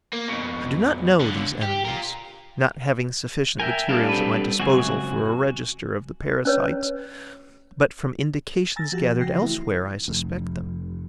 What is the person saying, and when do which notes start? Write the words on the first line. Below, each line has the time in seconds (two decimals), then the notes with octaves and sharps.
I do not know these enemies, not having sufficient materials at my disposal for a register of the parasites; but, from indications gathered elsewhere, I suspect them.
0.13 A#3
0.28 F2 B2
1.20 C#2 D3
1.62 G4
1.85 F4 A#4
3.60 A#4 E5 G5 G#5
3.89 G3 C4 D4 A4 F5
4.09 C4 B4
4.60 C#2 F#2 C4 F#4 G#5
6.45 C#4 B4 C#5
8.76 G#5 A#5 E6 A6 A#6
8.92 F3 F#4 G4
9.19 C#3 F#4 G5 A#6 C7
9.40 E3 A3 C4 E4
10.08 F1